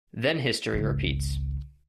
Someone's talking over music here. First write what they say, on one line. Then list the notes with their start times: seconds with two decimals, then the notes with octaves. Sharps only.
Then history repeats.
0.73 G#1 C#2